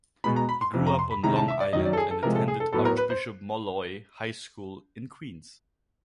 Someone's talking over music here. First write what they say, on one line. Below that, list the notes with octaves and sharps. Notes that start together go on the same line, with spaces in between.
He grew up on Long Island and attended Archbishop Molloy High School in Queens.
B2 G#3 B3 B5
A#5
B5
C6
F2 C3 F3
A#5
C6
B5
C3 D#3 G#3 C#4 E4 A#5
A5
E5
D5
F#2 D#3 F#3 D#5
D5
A4
G#4
A4
C3 F3 G#3 A#4
A4
G#4
A4
A2 F#3 B3 A4
A#4
B4
C5